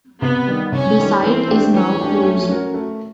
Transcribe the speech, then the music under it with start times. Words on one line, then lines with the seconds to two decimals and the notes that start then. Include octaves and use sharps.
The site is now closed.
0.22 C3 B3
0.47 D#3 G3
0.72 C3 C#4
0.98 D#3 G3
1.23 E3 C4
1.48 A3 D4 G4
1.73 E3 C#4
1.99 A3 D4 G4
2.23 A3
2.49 C#4 F#4 A#4
2.74 A3